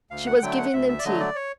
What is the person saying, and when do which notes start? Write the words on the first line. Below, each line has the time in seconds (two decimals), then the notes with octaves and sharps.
She was giving them tea.
0.11 D2 F5
0.26 F#5
0.42 D3 F#3 A3 G5
0.58 F#5
0.73 D2 E5
0.89 E5
0.99 D5
1.05 D3 F#3 A3 D#5
1.20 D5
1.36 C#5